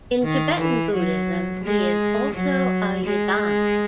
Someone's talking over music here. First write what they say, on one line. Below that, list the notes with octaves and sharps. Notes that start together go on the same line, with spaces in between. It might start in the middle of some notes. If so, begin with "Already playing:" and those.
In Tibetan Buddhism, he is also a yidam.
D#3
E3
F#3
G#3
F#3
G#3